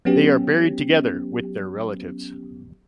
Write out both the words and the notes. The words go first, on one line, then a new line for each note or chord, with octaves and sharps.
They are buried together with their relatives.
F#3 B3 C#4 G4